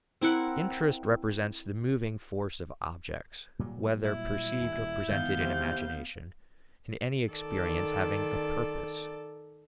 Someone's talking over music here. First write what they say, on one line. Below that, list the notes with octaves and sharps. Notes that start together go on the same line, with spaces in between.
Interest represents the moving force of objects--whether perceived or presented in imagination--in any experience having a purpose.
C4 E4 A#4 F#5
A#2 F#3 G3
E4
D#1
D#3 E3 G#3 B3 F5 G6
C3
D#3 A4 D5